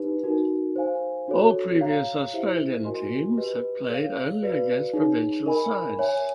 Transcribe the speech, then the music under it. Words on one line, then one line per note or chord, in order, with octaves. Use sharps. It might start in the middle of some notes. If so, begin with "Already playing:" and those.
All previous Australian teams had played only against provincial sides.
Already playing: D#4 G4 B4
D#4 F#4 A#4
C5 F5 G#5
D4 F#4 A4 C#5
C#5 F5 A#5
E4 G4 C5 E5
F#4 A#4 D#5 G#5 C6
G4 B4 D#5
G#4 C#5 F5
F#4 B4 D5 F5
D#4 G#4 C#5
A#4 D#5 G#5 B5
C#5 E5 G#5